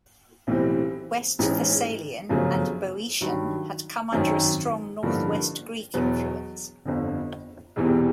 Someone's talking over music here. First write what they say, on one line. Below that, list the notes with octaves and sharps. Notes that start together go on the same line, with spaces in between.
West Thessalian and Boeotian had come under a strong Northwest Greek influence.
B1 A2 E3 G3 C4
A1 G#2 E3 G#3 C#4
G1 F#2 C#3 F3 A3
G2 D#3 F#3
G#1 F#2 D#3
A1 G2 D3 F3 A#3
E2 B2 F#3 B3
G1 F2 D3
E1 E2 C3 E3